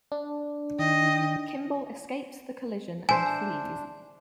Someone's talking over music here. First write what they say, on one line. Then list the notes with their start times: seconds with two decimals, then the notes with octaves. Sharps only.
Kimble escapes the collision and flees.
0.12 D4
0.79 D#3 D#5 G5
3.09 D4 C5 E5 G#5